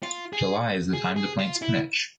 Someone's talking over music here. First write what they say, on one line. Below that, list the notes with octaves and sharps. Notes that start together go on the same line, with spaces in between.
July is the time to plant spinach.
F4
G#4
G#4
G#4
F4
E4